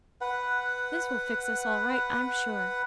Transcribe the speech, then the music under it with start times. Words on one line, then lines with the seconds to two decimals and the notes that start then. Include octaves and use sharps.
"This will fix us all right, I'm sure."
0.21 B4 F#5